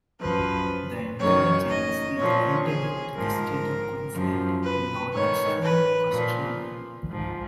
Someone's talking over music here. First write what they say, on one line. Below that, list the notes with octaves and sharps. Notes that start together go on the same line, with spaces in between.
The entire genus is endemic to the State of Queensland in northeastern Australia.
F#2 F3 B4
F#2 D#3 C#5
D#5
A#2 F3 C#5
G#4
G#2 F3 A#4
F#2 F3
B4
G#2 D#3 C#5
B4
A#2 F3
G#2 F3